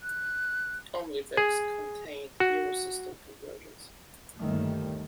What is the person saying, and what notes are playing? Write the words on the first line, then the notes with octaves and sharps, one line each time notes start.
"Omlevex" contained Hero System conversions.
F#6
G#4
F#4
G1 D#2 D#3 G3 A3